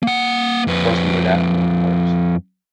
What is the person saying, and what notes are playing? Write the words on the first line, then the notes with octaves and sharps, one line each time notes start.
At first we were laughing when we heard it.
A#3 F#5
F2 B4